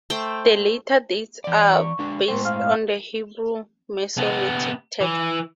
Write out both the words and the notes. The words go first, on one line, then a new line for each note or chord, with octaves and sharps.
The later dates are based on the Hebrew Masoretic text.
A3 C5 G5
E3 D5
C#6
D3 G#3 D4
A2 G#3 C4 C5
F5
C3 B3
E3